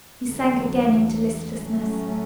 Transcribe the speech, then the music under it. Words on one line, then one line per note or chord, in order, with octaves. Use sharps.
He sank again into listlessness.
E2 D3 F#3
A2 F#3 A3 C#4